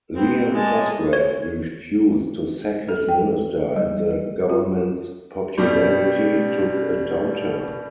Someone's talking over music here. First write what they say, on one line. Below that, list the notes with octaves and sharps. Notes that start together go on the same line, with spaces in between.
Liam Cosgrave refused to sack his Minister and the government's popularity took a downturn.
B3 C4
G#3 A5
C#5
A4
G5
G3
F4
B2 G3 C#4 G4